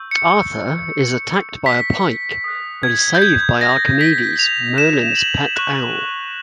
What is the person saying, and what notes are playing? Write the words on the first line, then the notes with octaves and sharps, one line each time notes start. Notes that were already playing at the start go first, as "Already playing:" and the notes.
Arthur is attacked by a pike but is saved by Archimedes, Merlin's pet owl.
Already playing: C#6 E6 G6
C#7
B6
D#6 F#6
G#6
G6
G#6
A#6
B6
F7
E7
F#7
C#6 F#6